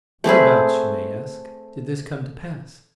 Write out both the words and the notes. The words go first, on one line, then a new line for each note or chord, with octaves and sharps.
Whereabouts, you may ask, did this come to pass?
A3 C4 G#4 B4